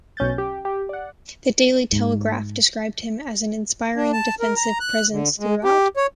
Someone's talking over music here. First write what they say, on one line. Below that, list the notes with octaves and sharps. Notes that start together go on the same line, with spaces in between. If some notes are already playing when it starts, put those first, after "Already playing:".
The "Daily Telegraph" described him as "an inspiring defensive presence throughout".
B1 C#4 G6 A6
G4
G4
D5 F#5
G#2
D4
A5
A#4
A#5
F#6
D3
G#3
G4
C#5